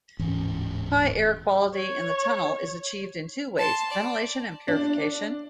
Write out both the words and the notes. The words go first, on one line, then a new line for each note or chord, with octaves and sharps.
High air quality in the tunnel is achieved in two ways: ventilation and purification.
D1 G#2 E3 C#4
C#5
A5 C6
D5
D4